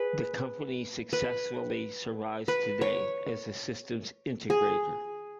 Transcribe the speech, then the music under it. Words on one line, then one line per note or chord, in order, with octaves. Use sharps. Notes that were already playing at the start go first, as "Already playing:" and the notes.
The company successfully survives today as a systems integrator.
Already playing: G#4 B4
B4
B4
C#5
G#4